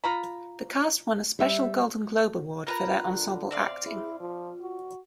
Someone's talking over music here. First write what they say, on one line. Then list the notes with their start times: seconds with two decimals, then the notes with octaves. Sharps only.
The cast won a Special Golden Globe Award for their ensemble acting.
0.04 F4 A#5 B5
1.39 G3 E5
2.67 F4 A#4 B4 A#5
3.02 D3
3.51 C4 D5 E5 F5
3.85 E4 G#4
4.20 F3 F4
4.61 F#4